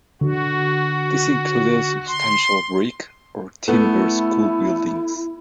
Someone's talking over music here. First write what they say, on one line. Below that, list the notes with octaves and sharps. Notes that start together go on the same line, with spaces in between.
This included substantial brick or timber school buildings.
D3 F#4
C6
A3 B3 E4